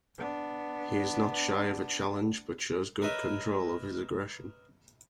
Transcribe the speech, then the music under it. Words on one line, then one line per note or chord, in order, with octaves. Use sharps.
He is not shy of a challenge but shows good control of his aggression.
B3 D4
A#4 B4 C#5 D#5 E5 B5